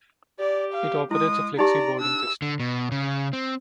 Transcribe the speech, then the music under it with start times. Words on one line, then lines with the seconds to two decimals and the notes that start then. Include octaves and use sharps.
It operates a flexi-boarding system.
0.39 G4 D5
0.73 F5
1.11 G#3 E4 D#6
1.59 D#4 G4 D5 A#5
2.00 D4 E6
2.42 D3
2.60 B2
2.92 C#3
3.33 C4